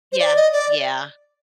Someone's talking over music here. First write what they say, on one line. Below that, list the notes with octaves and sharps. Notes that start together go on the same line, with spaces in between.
Yeah, yeah.
C5
D5
D#5
D5